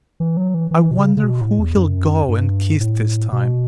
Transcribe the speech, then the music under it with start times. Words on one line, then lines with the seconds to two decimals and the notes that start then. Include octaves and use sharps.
I wonder who he'll go and kiss this time.
0.20 E3
0.37 F#3
0.54 E3
0.71 E3
0.91 B2
0.98 C#3
1.17 C#3
1.24 B2
1.41 A2
1.59 E2
1.76 F#2
2.29 G2
2.80 A2
3.32 B2